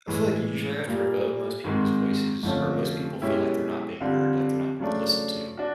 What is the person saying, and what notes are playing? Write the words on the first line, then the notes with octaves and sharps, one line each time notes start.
I feel like u usually after a vote, most people's voices or most people feel like they're not being heard, like they're not being listened to
A2 E3 G#3
A#2 G3 A#3
G#2 D#3 G#3 C4
F2 D3 F3 A3 C#4
B2 G#3 C#4 E4 G4
D3 G3 C4 F4
C#3 F#3 A3 D4
D4 F#4